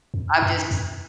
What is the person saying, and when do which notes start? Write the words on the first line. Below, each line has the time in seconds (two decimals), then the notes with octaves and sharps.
I'm just
0.14 F2
0.42 F#2
0.71 F2